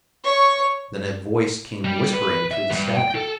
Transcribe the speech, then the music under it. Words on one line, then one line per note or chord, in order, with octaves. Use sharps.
Then a voice came whispering through the static.
C#5 C#6
G3
B4
E5
E2 G2
G5
A4